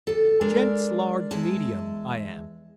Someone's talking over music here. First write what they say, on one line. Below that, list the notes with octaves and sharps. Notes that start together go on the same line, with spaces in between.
"Gents' large medium, I am."
D2 A4
G#3 D4 A#4 D5
E2 G#3 E5 A5